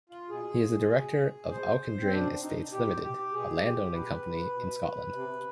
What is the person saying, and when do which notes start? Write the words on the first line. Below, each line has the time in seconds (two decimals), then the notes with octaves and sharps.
He is a director of Auchendrane Estates Limited, a landowning company in Scotland.
0.09 F4
0.29 B2 G#4
0.90 B2
1.51 B2 C5
2.01 C4
2.12 B2 D4
2.42 D#4
2.72 B2 G4
3.03 G4
3.33 B2 G#4
3.63 G4
3.93 B2 B4
4.54 B2
5.14 C3